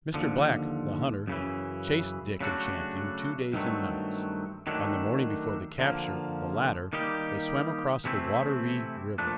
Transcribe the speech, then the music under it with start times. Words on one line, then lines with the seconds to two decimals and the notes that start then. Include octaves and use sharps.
Mr. Black, the hunter, chased Dick and Champion two days and nights; on the morning before the capture of the latter they swam across the Water-ree river.
0.14 D#2 D3 F3
1.27 F#2 C#3 E3
2.41 C#3 F#3 A3 D4 F#4
3.53 G2 D#3 F#3 A3 C4
4.67 D#3 F#3 A3 D4
5.79 D3 F3 A#3
6.93 D#3 G3 A#3 D#4 G4
8.05 C3 E3 A3 C4 E4
9.18 A#2 F3 A3 D4